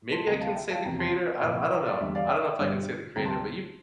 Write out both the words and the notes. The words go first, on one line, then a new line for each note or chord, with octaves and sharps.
maybe I can say the creator? I I don't know. I don't know if I can say the creator, but you
A5 C6
D2 C3 G3 G5 A#5
F5 A5
E5 G5
F5 A5
F1 E2 C3 F3 G5 A#5
A5 C6
C2 A#2 F3
G5 A#5
D5
E2 D3 G3 E5
D5 F5
E5 G5
G1 G2 D3 G3
D2 C3 G3 G5 A#5
A5 C6